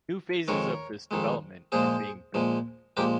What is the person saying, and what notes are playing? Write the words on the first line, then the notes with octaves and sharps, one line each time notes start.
New phases of this development are being built.
F2 D#3 G#3 A#4 C#5
F2 D#3 G#3
A#2 F3 G#3 G#4 C5
A#2 F3 G#3
A#2 F3 G#3 G4 A#4